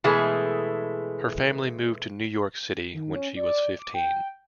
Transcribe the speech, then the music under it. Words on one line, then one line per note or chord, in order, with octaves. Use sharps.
Her family moved to New York City when she was fifteen.
B2 E3 G#3 A3 G#4
D#3
C#4
D5
D6
G5